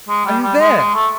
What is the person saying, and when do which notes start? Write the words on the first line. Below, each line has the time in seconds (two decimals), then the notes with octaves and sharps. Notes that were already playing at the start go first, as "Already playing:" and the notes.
Are you there?
0.08 G#3
0.25 G3
0.43 G3
0.60 G#3
0.77 G#3
0.94 A3